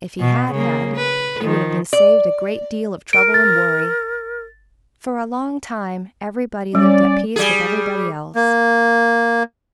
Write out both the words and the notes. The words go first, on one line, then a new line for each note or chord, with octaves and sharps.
If he had had, he would have been saved a great deal of trouble and worry. For a long time everybody lived at peace with everybody else.
B2
C#3 A#3
B4
D#3 F3
D5
A#4 D7
A6
G3 C#4 D5
G3 G#4
A#3